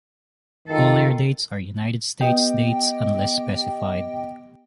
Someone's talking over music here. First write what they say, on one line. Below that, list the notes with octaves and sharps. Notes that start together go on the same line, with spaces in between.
All airdates are United States dates unless specified.
D#3 F4 A4
B3 G4 D#5 G5